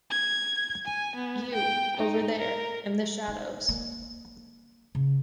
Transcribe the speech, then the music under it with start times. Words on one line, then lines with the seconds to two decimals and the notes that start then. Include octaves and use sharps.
You, over there, in the shadows!
0.11 G#6
0.86 G#5
1.16 B3
1.54 G5
1.97 D#4
2.39 A#4
3.28 D#4
3.69 A#3
4.95 C#3